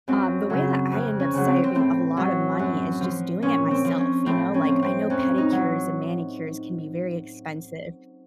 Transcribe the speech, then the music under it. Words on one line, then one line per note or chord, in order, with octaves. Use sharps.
um, the way that I end up saving a lotta money is just doing it myself, you know, like, I know pedicures and manicures can be very expensive,
F#2 C4
C#3 F#3
F2
C#4
C#3 F#3
C4
C4
A2 C4
F#3
F#2
F3
A#2 C#4
C4
F3
C#4
A2 C4
C#4
F3
C4
F2 C#4
D#4
F#3